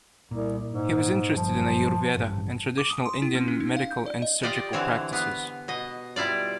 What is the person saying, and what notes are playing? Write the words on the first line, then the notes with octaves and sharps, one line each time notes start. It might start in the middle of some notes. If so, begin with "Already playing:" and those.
He was interested in Ayurveda and traditional Indian medical and surgical practices.
C2 A#2
G#2
F#1 G2 F3
A1 G2
D6
D#6
C6
E4
C4
C#4
D#4
F5
G6
D5
D#5
F4 G4 D5 D#5
D3 E3 C4 C#5
B3 F5
B2 D#5
G3 E4 F4 D5